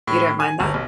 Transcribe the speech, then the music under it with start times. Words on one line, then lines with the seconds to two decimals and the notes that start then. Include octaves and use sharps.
You don't mind that?
0.07 A2
0.40 G#5
0.60 G1
0.74 B1